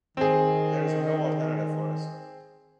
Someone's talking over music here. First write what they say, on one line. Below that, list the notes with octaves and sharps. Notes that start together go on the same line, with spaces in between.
There is no alternative for us.
D#3 C4 G#4